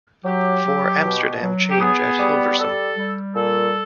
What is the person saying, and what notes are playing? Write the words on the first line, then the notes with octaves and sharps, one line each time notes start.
For Amsterdam change at Hilversum.
F#3 G4
F#3
B2
F#3
G4
B3 G#4
G3
G3 A4
G3
A#2 A4